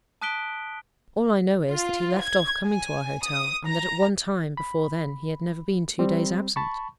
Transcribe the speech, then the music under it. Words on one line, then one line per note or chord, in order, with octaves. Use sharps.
All I know is, that he left off coming to our hotel, and that at one time before then he had never been two days absent.'
A5 D#6 F#6 B6 D7 G7
F4
G#6
G#5
D#6
A#5
B5
G3 C4
A5 B5 C#6